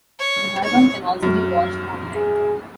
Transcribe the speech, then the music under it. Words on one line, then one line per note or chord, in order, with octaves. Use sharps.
The Marathon can also be watched online.
C#5
C#5
F#2
G#4